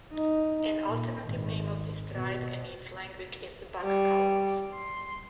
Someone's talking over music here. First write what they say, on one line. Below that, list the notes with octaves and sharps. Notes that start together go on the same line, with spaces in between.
An alternative name of this tribe and its language is "Bugkalots".
D#4
A#2
G#1
B2
G3
C6